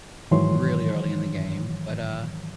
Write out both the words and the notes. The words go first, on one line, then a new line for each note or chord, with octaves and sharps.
really early in the game, but, uh
G#2 D#3 E3 F#3 C#5 C6